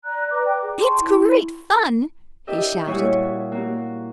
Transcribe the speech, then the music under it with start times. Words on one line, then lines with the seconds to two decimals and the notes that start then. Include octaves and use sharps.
"It's great fun," he shouted.
0.04 D5 A#5 F#6
0.31 B4 D5 A#5 D6
0.45 G5 D6
0.62 G#4
0.80 G5 A5 C6 C#6
1.00 E4
2.47 D4 E4 G4 A#4 D#5 E5
2.87 A#2 G3 E4 F#4 C#5 D#6
3.52 A#3 F#4